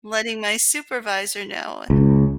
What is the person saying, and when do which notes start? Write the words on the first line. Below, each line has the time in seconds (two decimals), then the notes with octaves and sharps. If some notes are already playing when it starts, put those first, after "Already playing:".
letting my supervisor know,
1.90 C#2